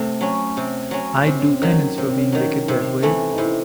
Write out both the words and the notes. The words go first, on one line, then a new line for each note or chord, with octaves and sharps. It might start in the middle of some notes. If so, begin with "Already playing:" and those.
I’d do penance for being wicked that way.
Already playing: C3 A3
F#3 C#4
C3
F#3 C#4
C3 C4
C#4
C4
D#3 F#3
C3 C#4
C4
C#4
D#3 F#3
C3 D#4
E3 A3
D#4
C3 E4